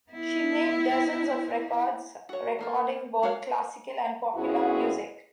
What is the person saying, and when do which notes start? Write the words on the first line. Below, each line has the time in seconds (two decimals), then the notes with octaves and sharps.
She made dozens of records; recording both classical and popular music.
0.10 B3 E4
2.29 F#4 C#5
2.59 A3 A#3 A#4
3.23 G#3 F#4 A#4 C#5 F5
4.36 F2 B3 C#4 E4 F#4 G#4